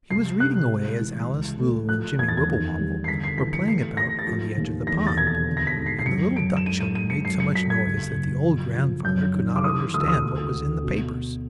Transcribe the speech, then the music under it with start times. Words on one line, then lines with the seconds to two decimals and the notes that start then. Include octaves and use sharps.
He was reading away as Alice, Lulu and Jimmie Wibblewobble were playing about on the edge of the pond, and the little duck children made so much noise that the old grandfather could not understand what was in the papers.
0.10 C2 C7
0.40 C3 F#6
0.70 G#3
1.00 E3
1.29 C#2
1.59 A3
1.89 F3 F#6
2.19 E2 G#6
2.28 A6
2.37 G#6
2.49 D#3
2.78 G3
3.04 C7
3.08 G1 B6
3.24 C7
3.38 E3 B6
3.53 C#7
3.67 A3 C7
3.97 A3 A#6
4.19 A6
4.27 F3 A#6
4.57 D#2
4.87 E2 A#6
5.07 A6
5.17 B2 G#6
5.27 A6
5.47 D3
5.57 A#6
5.67 B6
5.76 G#1
5.86 C7
5.99 C7
6.06 F#2 C#7
6.36 F#2 D7
6.57 E7
6.66 G#3 D#7
6.81 D#7
6.95 G#3 D#7
7.10 C#7
7.25 F#2 C7
7.40 C#7
7.55 F#3 B6
7.70 G#6
7.85 F#1
8.15 F#1
8.45 F3
8.75 F3
9.05 F#2 G6
9.34 D#3
9.56 D6
9.64 E3 D#6
9.94 D2 D#6
10.01 E6
10.08 D#6
10.23 D2
10.53 D2
10.83 B2
11.13 B2